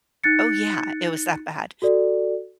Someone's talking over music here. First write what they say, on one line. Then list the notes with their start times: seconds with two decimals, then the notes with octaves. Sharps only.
Oh, yeah. It was that bad.
0.24 D#4 F#6 A6 C#7
1.82 F#4 A4 D5